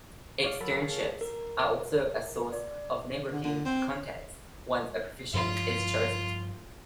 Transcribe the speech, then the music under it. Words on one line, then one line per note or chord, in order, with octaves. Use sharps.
Externships are also a source of networking contacts once a profession is chosen.
C#5 D5 F5
F#3 A4 A#4 B5
G#4 A4 C#5 F5
A#4
D5
D3
D3
C4
G2 C#3 F3 F4